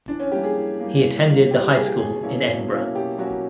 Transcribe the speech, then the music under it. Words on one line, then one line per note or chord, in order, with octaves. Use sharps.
He attended the High School in Edinburgh.
E3 D4
C#4
G3 A#3 G4
G#4
E3
G3 A#3
E3
G3 A#3
E3 G4
G4
G3 A#3 G#4
G4
B2 G#4
F#3 A#3 C#4 E4
B2
F#3 A#3 C#4 E4
B2 G4
F#3 A#3 C#4 E4 F#4